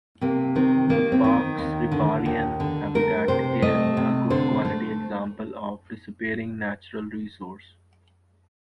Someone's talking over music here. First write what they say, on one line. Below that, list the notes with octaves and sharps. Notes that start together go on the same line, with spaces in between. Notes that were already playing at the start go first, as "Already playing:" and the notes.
The park's riparian habitat is a good quality example of a disappearing natural resource.
C3 A#3
D#3 C4
D#3 A#3
C4
D#3
D#2
D3
D#2
D3
A3 A#4
C3 C5
A3 D#5
C3
D3 C5
A3